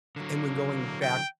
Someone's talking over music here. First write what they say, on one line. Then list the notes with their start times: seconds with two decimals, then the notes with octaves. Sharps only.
And when going back
0.16 D3 F#3 A#3
1.02 G5